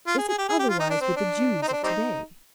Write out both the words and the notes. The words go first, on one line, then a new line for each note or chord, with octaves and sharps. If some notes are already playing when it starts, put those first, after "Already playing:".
Is it otherwise with the Jews of to-day?
F4
G#4
G#4
G4
G#4
G4
F4
D#4
D4
C4
D4
D#4
C4
D4
G3 C4 D#4